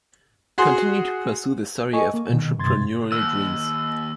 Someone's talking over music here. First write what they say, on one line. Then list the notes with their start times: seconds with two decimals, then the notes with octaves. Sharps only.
Continue to pursue the story of entrepreneurial dreams.
0.58 F#4 G#4 C6
1.93 A4 D#5 G#5 C#6
2.14 A#3
2.29 B2 D#3
2.58 G2 C3 C6 G#6 A6
3.12 D#2 E6